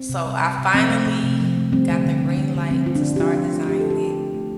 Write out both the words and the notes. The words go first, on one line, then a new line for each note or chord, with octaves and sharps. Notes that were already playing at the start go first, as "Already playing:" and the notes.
so I finally got the green light to start designing it.
Already playing: C4
C3
G3
G3
C3
F3 C4
A3
C3
C3
F3
A3
G3 C4
D3
D3
G3
G3
D3
F3 C4
A3 F4
D4
D3
G4
D3 F4
F3
D4
A3
A3 G4
D3 A4
G4
D3
A3
A3